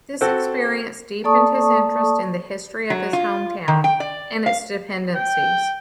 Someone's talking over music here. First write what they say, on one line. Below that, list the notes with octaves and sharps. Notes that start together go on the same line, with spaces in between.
This experience deepened his interest in the history of his hometown and its dependencies.
C4 F#4 A4
A#3 A4 D5 A5 C#6 D#6
F#3
F4
D#3
G5
D5
F5
G5